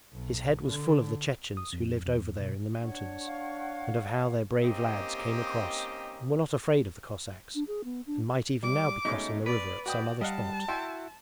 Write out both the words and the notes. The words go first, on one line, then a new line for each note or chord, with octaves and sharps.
His head was full of the Chechens who lived over there in the mountains, and of how their brave lads came across and were not afraid of the Cossacks, and might even now be crossing the river at some other spot.
B1
D3
D#6
F2
E2
B2
D4 C#5 F#5 C#6
F5
A#3 C4 C#4 D#4 G4 D#5
D4
G#4
B3
D4
G3 D6
B2 G#3 A3 C#4 D#4
B4 D5
F#4 D5 G5 D#6
G3 D#5 F5 F#5 A5
E4 F#4 E5 G5 C6